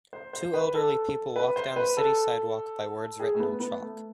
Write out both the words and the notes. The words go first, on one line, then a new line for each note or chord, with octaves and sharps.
Two elderly people walk down a city sidewalk by words written in chalk.
C5
C5
B4
A4
B4
C5
B4
A4
G#4
A3
B3
B3
A3